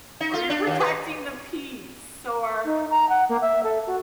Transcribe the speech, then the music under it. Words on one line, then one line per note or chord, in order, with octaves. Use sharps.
Or you're protecting the peace or
D#4
F4
D4
D#2
B4
D#4
A#5
F#5
A#3
E5
A4
F#4